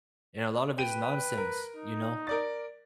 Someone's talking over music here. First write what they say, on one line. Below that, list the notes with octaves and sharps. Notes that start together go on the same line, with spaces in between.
And a lot of it is nonsense, you know?
B4 G5 D#7
A#4
D#4
A#4 D5 A6